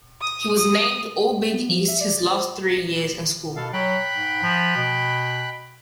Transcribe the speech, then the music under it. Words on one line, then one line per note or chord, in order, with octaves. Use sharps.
He was named All-Big East his last three years in school.
D#6
D#6
B3
F3
E5
D5
A6
C5
B2 A4 F5
F#3 G5 B5 F#6
G#2
F3
B2